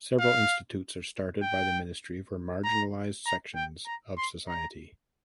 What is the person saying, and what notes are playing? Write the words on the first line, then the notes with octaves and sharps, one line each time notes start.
Several institutes are started by the ministry for marginalized sections of society.
F5
G5
A#5
A#5
G5
A#5
C6
A#5